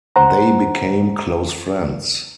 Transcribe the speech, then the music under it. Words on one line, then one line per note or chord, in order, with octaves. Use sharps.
They became close friends.
C5 F#5 A#5